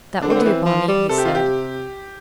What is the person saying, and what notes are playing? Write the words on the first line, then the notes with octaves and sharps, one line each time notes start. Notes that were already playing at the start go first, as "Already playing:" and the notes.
"That will do Bonni," he said.
D3 D4
C4
D3
B3
E3 C4
F3
G3
C3 A4
G4
F4
G4